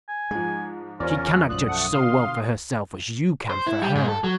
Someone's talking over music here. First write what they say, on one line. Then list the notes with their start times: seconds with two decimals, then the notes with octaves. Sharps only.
She cannot judge so well for herself as you can for her.
0.09 G#5
0.31 G#2 F3 G#3
1.00 E2 C#4 F4 A#4 C5 D5
1.50 B1 F#2 F3 D#6 F#6
1.67 A3 F#5
1.93 B2 D3 F5 C6
3.50 C5
3.67 E4
3.82 G3
3.95 G#2
4.08 A4
4.24 F#3